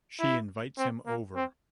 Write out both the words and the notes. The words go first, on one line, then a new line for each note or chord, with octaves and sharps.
She invites him over.
E4
C4
A#3
C4